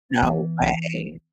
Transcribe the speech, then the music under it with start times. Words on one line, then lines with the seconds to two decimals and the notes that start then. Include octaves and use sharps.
No way.
0.23 E3 B3